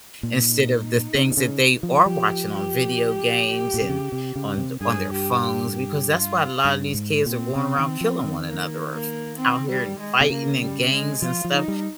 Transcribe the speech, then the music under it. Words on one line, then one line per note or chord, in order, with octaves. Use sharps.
instead of the things that they are watching on video games, and on the on their phones because that's why a lotta these kids are going around killing one another or f out here and fighting in gangs and stuff,
A#2 D#4
C3
C3
C#3
F3
F3 G4
G4
A#2
C3
C#3
C3
C#3
C3
G2 G#4
G4
G4
G4
F4
G2
G#2
A#2 C4
C3
D#3
F3
D#3
A#3
A#3
C4
G3
G#3
C3
C#3 A#3
G3
G#3
F3 F4
F3
D#4
G3